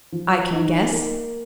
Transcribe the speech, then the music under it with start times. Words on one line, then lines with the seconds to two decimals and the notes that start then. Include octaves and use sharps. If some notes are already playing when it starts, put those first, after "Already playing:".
"I can guess."
0.12 F3
0.52 D#4
0.93 A#3